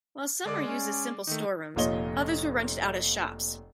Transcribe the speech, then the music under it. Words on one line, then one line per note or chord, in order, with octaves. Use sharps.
While some were used as simple storerooms, others were rented out as shops.
D3 G#3 D5 D6
C#4
D#3 A3 D#4
F1 A#2 F4 C#5 D#5 G7